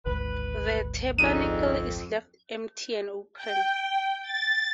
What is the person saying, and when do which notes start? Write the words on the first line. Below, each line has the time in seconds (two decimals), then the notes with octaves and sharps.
The tabernacle is left empty and open.
0.06 G#1 D2 G#2 B4
1.18 F2 G#3 D4 D#4 D#7
3.36 G5
4.22 A6